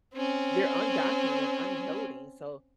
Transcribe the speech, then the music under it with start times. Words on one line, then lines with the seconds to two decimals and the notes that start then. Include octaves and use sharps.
they're undocking and unloading, so
0.14 C4 C#4